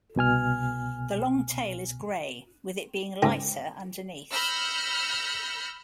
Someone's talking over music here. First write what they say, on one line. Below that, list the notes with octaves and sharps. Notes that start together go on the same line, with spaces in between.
The long tail is gray with it being lighter underneath.
C2 B2 G#5 F6
C#2 G#2 G4
B5 E6 F6 G6 A#6 C#7